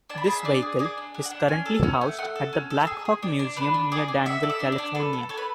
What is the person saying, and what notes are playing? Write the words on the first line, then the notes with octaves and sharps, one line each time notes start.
This vehicle is currently housed at the Blackhawk Museum near Danville, California.
D4 A5
B5
G#4 A5
E5
D4 D5
G#4
G#4 D5
D4
D4
F#5
D4
C#4 G#5
A4
C#4 F#5
A3
A3 F#5
A4
C#4
A4
G#4
G#4
D4
D4
D4 B4
D4
G#4 D5
D4
F#4 E5
A4 D5
E5
D4
D5
D4
A4 B4
A4
A4 C#5
B4